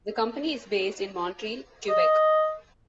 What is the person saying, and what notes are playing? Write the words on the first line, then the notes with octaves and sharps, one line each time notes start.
The company is based in Montreal, Quebec.
D#5